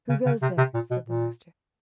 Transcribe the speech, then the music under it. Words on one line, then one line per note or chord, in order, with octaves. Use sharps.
"Who goes there?" said the master.
C#3
C#3
C3
C3
A#2
B2
A#2